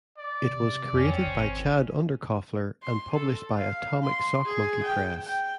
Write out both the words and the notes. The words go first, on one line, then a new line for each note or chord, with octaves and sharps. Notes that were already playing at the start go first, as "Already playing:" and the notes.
It was created by Chad Underkoffler and published by Atomic Sock Monkey Press.
D5
C3
F2 C4 C#4
G#1
C6
A4
F5
C6
G#4
G5
G5